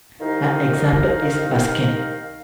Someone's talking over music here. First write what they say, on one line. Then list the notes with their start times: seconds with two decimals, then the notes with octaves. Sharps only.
An example is buskin.
0.20 C2 D#3 D#4 F5